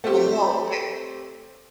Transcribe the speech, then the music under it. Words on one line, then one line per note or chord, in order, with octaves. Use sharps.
Well, no, it
A3 C4 G4